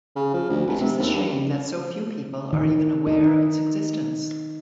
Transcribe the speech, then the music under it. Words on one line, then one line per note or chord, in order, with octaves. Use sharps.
It is a shame that so few people are even aware of its existence.
C#3
F3
D2
F1
C3
D#2
G2
D#3
D#4